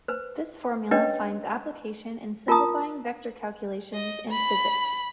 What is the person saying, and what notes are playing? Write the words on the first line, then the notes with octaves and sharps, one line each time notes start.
This formula finds application in simplifying vector calculations in physics.
B4 C5
C#4 D4 B4 C#5 D#5 G5
F4 A#4 A5 A#5 D#6
D#5
B5